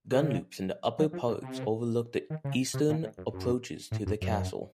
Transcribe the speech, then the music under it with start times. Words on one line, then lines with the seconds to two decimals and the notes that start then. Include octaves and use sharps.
Gunloops in the upper parts overlook the eastern approaches to the castle.
0.11 C#3
0.98 F#3
1.13 F3
1.28 A#2
1.43 C3
2.30 D#3
2.45 C#3
2.74 C3
2.89 A#2
3.03 A2
3.18 F#2
3.34 F#2
3.91 A2
4.06 F#2
4.21 F#2